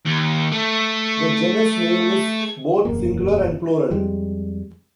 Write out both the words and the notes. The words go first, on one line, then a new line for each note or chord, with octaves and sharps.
The genus name is both singular and plural.
D#2
A3
E1 F#2 A#3
F2 G3 G#3